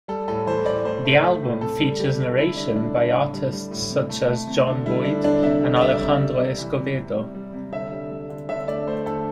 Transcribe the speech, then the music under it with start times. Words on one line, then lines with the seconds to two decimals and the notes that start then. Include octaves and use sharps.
The album features narration by artists such as Jon Voight and Alejandro Escovedo.
0.08 G3 A4
0.28 A2 A4
0.46 E3 C5
0.66 A2 D5
0.85 A2 C5
1.05 A3
1.23 A3
1.42 A2
1.61 C3 A4
1.80 G3
2.00 G3 G4
2.18 C3
2.38 D3 E4
2.57 G3 D4
2.76 G3 D4
2.95 D3 D4
3.14 A2
3.34 G3
3.52 G3
3.71 A2
3.90 C3
4.09 A3
4.29 A3
4.47 C3
4.67 D3
4.86 G3 E4
5.05 G3 D4
5.24 D3 D4
5.43 C3 E5
5.62 G3
5.76 D5
5.81 G3 E5
6.01 C3
6.19 G3
6.39 C3
6.58 E3
6.77 C3
6.97 C3
7.15 G3
7.35 G3
7.53 C3
7.72 D3 E5
7.92 G3
8.11 G3
8.30 D3
8.49 D3 E5
8.68 A3 D5
8.87 A3 C5
9.06 D3 A4